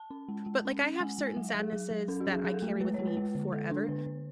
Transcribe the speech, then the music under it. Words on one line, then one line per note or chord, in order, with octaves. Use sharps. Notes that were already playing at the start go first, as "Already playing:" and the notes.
but, like, I have certain sadnesses that I carry with me forever
Already playing: A5
C#4
G#3
G#3
C#4
C#4
F#5
G#3 G#5
G#3
G#5
F#3 F#5
E5
F#3
G#4
F#3 G#4
F#3
C#4 A4
F#4
F#3
G#4
F#3 G#4
A4
A3 G#4
G#3 B4
G#3 C#5
B4
G#3
D3
G#3 A4
D4
D3 B4
D3